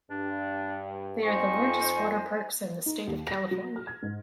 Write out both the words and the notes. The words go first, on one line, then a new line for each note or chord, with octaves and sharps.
They are the largest water parks in the state of California.
G2 D4
F2 D#4 C5 G#5 C#6
D#4
D#2
A#6
F#3
F6
G#6
G#2